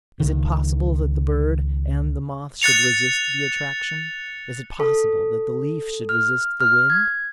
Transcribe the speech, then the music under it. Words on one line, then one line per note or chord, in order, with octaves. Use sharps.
Is it possible that the bird and the moth should resist the attraction? Is it possible that the leaf should resist the wind?
C#2 D#3
F#6 A6 C#7 F7
A4
F6
F6
G#6